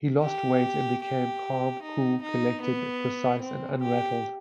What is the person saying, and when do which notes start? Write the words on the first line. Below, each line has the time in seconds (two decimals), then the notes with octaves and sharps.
He lost weight and became "calm, cool, collected, precise, and unrattled".
0.22 G4
1.03 G4
1.82 D#4
2.22 D#4
2.61 B3
3.41 C4
3.82 G4